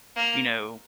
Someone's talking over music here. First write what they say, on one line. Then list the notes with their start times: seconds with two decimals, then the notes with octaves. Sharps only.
you know
0.16 A#3